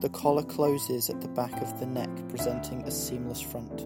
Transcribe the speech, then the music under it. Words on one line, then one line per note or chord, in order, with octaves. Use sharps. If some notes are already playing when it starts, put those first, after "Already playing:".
The collar closes at the back of the neck, presenting a seamless front.
Already playing: F2
C3 E3 B3 D4
A2 B5
F3 C4
A2 G5
F3 C4
D2 E5
C3 E3 A3 D4
D2
C3 E3 A3 D4